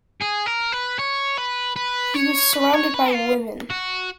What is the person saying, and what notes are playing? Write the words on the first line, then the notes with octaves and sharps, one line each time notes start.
He was surrounded by women.
G#4
A#4
B4
C#5
B4
B4
C#5
B4
C#5
B4
F4
F#4